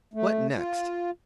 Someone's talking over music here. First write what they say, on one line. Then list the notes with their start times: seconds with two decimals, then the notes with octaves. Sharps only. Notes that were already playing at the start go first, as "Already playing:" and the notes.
What next!
0.14 A3
0.57 F4